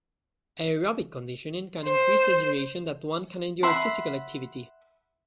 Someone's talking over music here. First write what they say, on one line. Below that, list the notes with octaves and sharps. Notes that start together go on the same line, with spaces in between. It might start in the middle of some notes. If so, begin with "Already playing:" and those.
Aerobic conditioning can increase the duration that one can endure physical activity.
C5
E5 F#5 B5 C6